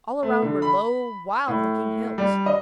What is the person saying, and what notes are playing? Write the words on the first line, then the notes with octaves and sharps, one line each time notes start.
All around were low, wild-looking hills.
A3
D3
B5
A2
G3
D#5